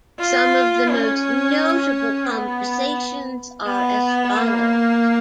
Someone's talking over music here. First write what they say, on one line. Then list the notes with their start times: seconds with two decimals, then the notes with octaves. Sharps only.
Some of the most notable conversations are as follows.
0.19 F4
0.89 C#4
2.28 B3
3.66 B3
4.36 A#3